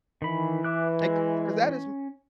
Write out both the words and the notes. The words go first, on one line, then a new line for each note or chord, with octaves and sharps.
Like, 'cause that is m
D#3 E3 B5
E5 D6 F#6
G#3
C#4